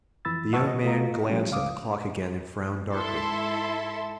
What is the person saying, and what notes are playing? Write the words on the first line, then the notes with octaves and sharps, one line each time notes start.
The young man glanced at the clock again and frowned darkly.
F2 E3 B5 E6 A6
F#2 D#5 F#5 A5 C#6 E6
F#4 D#5
C3 A3 F4 D#5 A#5
F3 G3 C#4
C#2 F5 D6 D#6
G#2 E4 A4 E5 C6